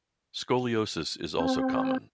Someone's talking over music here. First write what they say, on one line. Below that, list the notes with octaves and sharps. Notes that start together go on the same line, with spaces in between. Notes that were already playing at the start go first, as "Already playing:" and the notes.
Scoliosis is also common.
C4